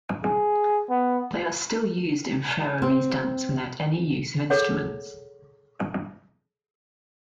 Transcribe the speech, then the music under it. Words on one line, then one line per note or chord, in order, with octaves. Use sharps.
They are still used in Faroese dance without any use of instruments.
G#4
B3
C4
G#4 A4 C#5 F#5